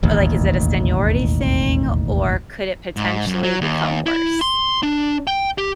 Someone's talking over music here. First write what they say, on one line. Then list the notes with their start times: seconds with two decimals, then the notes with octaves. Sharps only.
Or like, is it a seniority thing? Or could it potentially become worse?
0.03 E1 A1 D#2
2.97 G#2
3.27 F#2
3.43 F#3
3.61 D#2
4.06 E4
4.41 C6
4.83 D4
5.27 G5
5.58 G4